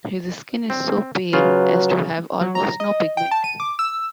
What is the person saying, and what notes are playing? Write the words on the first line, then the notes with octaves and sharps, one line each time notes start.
His skin is so pale as to have almost no pigment.
C4
C#3 F#3 F4 B4
F#3
A#5
D#5
G5
A5
D#7
D6
E6